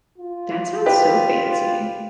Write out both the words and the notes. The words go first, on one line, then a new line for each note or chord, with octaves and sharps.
That sounds so fancy.
F4
G4 B4